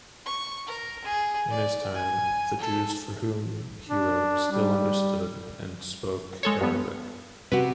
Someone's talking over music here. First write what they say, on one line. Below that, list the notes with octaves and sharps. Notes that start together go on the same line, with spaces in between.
In his time, the Jews for whom he wrote still understood and spoke Arabic.
C#6
A#4
G#4
D5
G#5
A4
D4
G3
G#3 A4 C#5
G2 B3
C3 F#4 B4